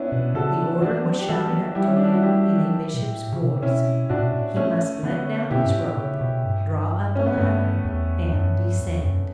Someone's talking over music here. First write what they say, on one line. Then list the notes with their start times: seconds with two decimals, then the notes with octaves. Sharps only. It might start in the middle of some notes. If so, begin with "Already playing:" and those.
The order was shouted up to him in a Bishop's voice--he must let down his rope, draw up a ladder, and descend.
Already playing: B3 C#4 D4 E4
0.12 B2
0.35 C#3 F#4 A4
0.81 E3 D4 F#4
1.05 F#3
1.19 G4
1.28 E3 F#4 A4
1.52 F#3
1.75 G3 E4 G4
1.88 C#4
1.96 D4
2.05 E4
2.14 F#4
2.23 E4 G4
2.61 E3
2.70 F#3
2.94 B2
3.00 A2
3.32 C#3
3.40 B2
3.49 C#3
3.62 B2 C#4 E4
4.09 A2 D4 F#4
4.21 B2
4.32 A2
4.56 A3 C#4
5.03 D3 B3
5.50 B2 E4 G4
5.65 G2
5.74 A2
5.97 C#3
6.21 B2
6.45 G2
7.16 C#4
7.26 B3
7.38 G2 A3
7.85 E2
8.32 F#2
8.56 G2
8.79 E2
9.02 F#2